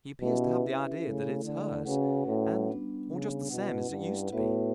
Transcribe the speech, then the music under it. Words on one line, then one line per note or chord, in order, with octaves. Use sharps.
She appears to have the idea that it is hers, and all just the same as it used to be.
B2 C#4 E4 G4 B4 E5
C#3 A3 E4 A4
D3
C#3 C#4 F#4 B4 F#5
A2
G3 B3 D4
C#3
B2 C#4 E4 B4 F#5
G2
A2 B3 F#4 B4 E5